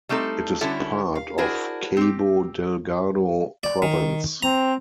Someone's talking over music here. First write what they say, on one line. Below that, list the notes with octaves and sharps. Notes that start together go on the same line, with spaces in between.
It is part of Cabo Delgado Province.
G3 A3 C4 D#4 A4
D3 G3 C#4 E4 F#4 A4
F5
D4 E4 F#4 G#4 A#4 C5
C4 G4
D5
D#3
C4 A#5